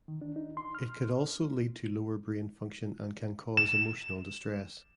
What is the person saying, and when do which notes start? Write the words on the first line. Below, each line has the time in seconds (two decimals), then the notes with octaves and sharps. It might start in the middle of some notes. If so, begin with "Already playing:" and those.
It could also lead to lower brain function and can cause emotional distress.
0.08 D#3
0.22 D4
0.36 D#4
0.57 C6
0.75 F6
3.57 E7